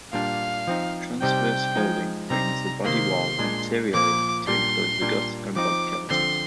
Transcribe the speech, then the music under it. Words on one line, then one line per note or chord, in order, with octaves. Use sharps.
Transverse folding brings the body wall anteriorly to enclose the gut and body cavities.
A#2 G3 D4 F5
F3 C4 D#4
C3 G3 C4 D#4 G5
F3 G#3 D#4
C3 G3 C4 D#4 A#5
C3 D#3 A#3 C6
A#2 G#3 D4
A#2 F3 A#3 D6
A#2 G3 D4 C6
A#2 G3 D4
F3 C4 D#4 D6
D3 F3 C4 C6